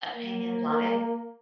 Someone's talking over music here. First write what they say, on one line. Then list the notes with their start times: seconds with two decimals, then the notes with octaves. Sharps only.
Opinions on it.
0.10 A#3